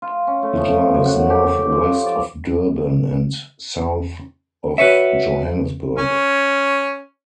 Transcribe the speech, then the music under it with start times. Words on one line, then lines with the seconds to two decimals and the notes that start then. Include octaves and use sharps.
It lies north-west of Durban and south of Johannesburg.
0.02 F4
0.27 C#4
0.42 A3
0.58 F3
0.94 F#2
1.06 F#5
1.30 G4
1.47 D6
1.72 F3
2.06 D5
4.78 F#4 B4 C#5 E5
5.98 C#4